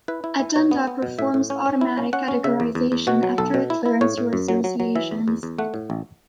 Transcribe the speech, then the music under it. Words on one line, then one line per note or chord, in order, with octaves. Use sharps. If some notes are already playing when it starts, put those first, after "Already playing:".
Agenda performs automatic categorization after it learns your associations.
E4 B4
E4
E4
B2 C#5
B3
B3
B2
A2 E5
A2
C#4
C#4
E4
C#4
C#4 F#5
C#4
C#3 E5
E2
E2
E2
B2 F#4
F#3
B1 A4
B2
E4
E4
A2 C#5
A2
F#2
F#3
F#3
F#3
E3 E5
E2
E2
E2
A3 F#5
A2
A1